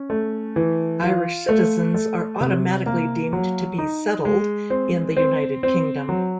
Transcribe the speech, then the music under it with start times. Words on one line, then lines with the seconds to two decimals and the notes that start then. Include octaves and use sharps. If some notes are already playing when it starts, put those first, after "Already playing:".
Irish citizens are automatically deemed to be "settled" in the United Kingdom.
Already playing: C#4
0.10 A3
0.56 E3
1.03 F4
1.49 A3
1.94 A3
2.40 C3
2.86 A#3
3.33 F#3
3.79 D#4
4.25 G#3
4.70 C4
5.17 C4
5.63 C4
6.09 F#3